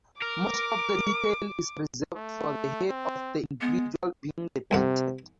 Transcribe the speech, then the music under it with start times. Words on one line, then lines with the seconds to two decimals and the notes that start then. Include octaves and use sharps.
Most of the detail is reserved for the head of the individual being depicted.
0.22 A#4 D6
2.16 A3
2.89 C4
3.61 G#3 B3
4.71 C2 F2 C3 F#5